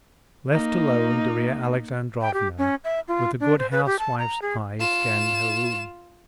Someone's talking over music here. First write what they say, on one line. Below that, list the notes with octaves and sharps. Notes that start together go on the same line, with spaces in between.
Left alone, Darya Alexandrovna, with a good housewife's eye, scanned her room.
A#3 D#4
G5
G4
C#4
E5
F4
D4
C5
B4
G4
A5
A#5
G#4
F4 E7